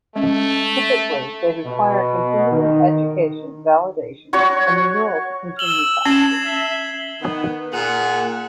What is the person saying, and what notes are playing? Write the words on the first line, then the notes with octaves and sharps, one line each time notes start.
Typically they require continuing education validation and renewal to continue practice.
G#3 A3 C#4
B2
D#3
F#4 C#5 C#6
E6 F#7 G7
C#4 G#6 C7 E7
E5
D#3 B3
A#2 A#3 G#4 F#5